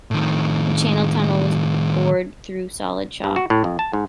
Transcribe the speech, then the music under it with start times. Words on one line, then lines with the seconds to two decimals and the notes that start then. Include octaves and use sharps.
The Channel Tunnel was bored through solid chalk.
0.11 A2 D#3
3.24 G2
3.36 F#4
3.50 A2
3.64 F2
3.79 A5
3.93 G#2